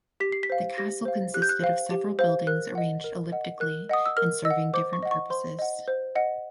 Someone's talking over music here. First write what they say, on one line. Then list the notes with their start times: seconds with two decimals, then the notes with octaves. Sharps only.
The castle consisted of several buildings arranged elliptically and serving different purposes.
0.20 G4 B6
0.32 C7
0.43 B6
0.50 C5 F5
0.78 G4 A#6
1.05 C5 F5
1.34 G4 F#6
1.42 G6
1.49 F#6
1.62 C5 F5
1.91 G4
2.19 C5 F5
2.47 A#4 F#6
2.75 D#5 F#5
3.04 A#4
3.32 D#5 F#5
3.60 A#4 F#6
3.89 D#5 F#5 D#6
4.06 E6
4.17 A#4 F6
4.45 D#5 E6
4.50 F#5
4.73 C5 D6
4.93 C#6
5.03 D#5 F#5
5.11 C#6
5.30 C5 C6
5.59 D#5 F#5
5.88 C5
6.15 D#5 F#5